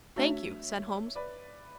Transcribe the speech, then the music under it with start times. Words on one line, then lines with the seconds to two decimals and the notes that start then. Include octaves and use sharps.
"Thank you," said Holmes.
0.16 A3 D4 F#4 C#5 E5
1.15 B4 D5